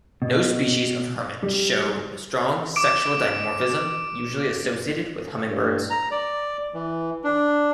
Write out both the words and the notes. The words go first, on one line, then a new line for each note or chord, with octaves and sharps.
No species of hermit show the strong sexual dimorphism usually associated with hummingbirds.
B2
G3
D6 D7
G2
A#5
D5
E3
D4